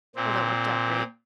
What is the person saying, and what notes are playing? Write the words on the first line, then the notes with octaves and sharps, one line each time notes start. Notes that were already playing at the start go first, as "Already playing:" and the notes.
Well, that worked out great.
A#2 C4